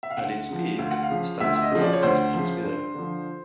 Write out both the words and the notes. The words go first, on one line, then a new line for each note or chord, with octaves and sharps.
At its peak stands a broadcast transmitter.
E5
F5
D2 F#5
C#3 F3
D2 F5
F#5
F5
C#3 F3
D2 E5
E5
D#5
C#3 F3
D5
C#5
D2 C5
C#3 F3
G2
D3 F3